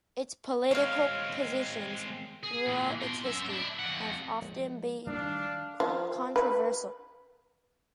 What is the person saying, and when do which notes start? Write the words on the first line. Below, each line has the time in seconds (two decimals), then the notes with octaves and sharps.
Its political positions throughout its history have often been controversial.
0.71 G#3 C4 C#5 F5
2.43 G#4
2.66 A#2 E3
3.00 B2 C6
3.25 F#2 E5
3.49 D4 E4
3.79 F2 F#5
4.42 F3 G#3
5.07 D#3 G3 A3 D4 F5
5.80 F3
6.36 B4